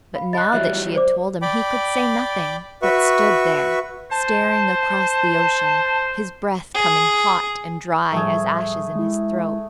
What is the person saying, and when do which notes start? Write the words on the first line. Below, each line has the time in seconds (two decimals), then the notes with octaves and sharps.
But now that she had told him, he could say nothing, but stood there staring across the ocean, his breath coming hot and dry as ashes in his throat.
0.15 F5 B5
0.33 D#5 B5 F#6 A6
0.53 E3 F#3 G3 E5
0.95 C5 D5 D6
1.42 D5 G5 B5 D6
2.82 F#4 B4 E5 C#6
4.11 C5 A5
6.75 G#4
8.12 A2 F3 G3 A3 G#4
8.95 G#3 E4